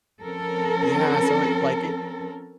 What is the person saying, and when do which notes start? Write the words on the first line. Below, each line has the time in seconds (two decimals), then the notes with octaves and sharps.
Yeah, so, it like, it
0.22 F3 C4 C#4 A4 A#4